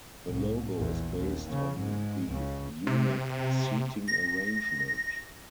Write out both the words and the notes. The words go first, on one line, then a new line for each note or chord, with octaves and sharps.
The logo is based on the unique seating arrangement.
C2 A2
A#1 E2
D#2
C#3
G#2 G#3
C#2 C#3
C3
A#6